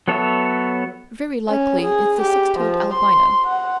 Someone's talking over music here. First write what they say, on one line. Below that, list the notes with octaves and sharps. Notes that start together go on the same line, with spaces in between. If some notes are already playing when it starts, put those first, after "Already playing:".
Very likely it's the six-toed albino.
F#3 B3 A4 C#5 E5
C#4
G#4
G4
F3
C6
F#5